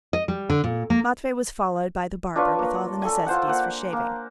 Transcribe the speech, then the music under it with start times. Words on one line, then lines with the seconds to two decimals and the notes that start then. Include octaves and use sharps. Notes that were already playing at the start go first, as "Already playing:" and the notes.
Matvey was followed by the barber with all the necessaries for shaving.
0.13 D#5
0.28 G3
0.50 D3
0.64 A#2
0.90 A#3
2.35 D4 F4 B4 C#5
2.59 A#3
3.02 A4 G#5
3.26 F4 C5 F#5
3.47 A#3 F#5
3.93 A#3